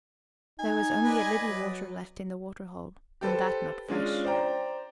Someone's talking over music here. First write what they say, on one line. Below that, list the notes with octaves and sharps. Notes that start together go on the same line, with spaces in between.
There was only a little water left in the water-hole, and that not fresh.
D#4 G#5
B4 D5 D#5
F#3
G4 A4 B4 C5
G#3 C#4 D4 F4
C5 D5 G5 A#5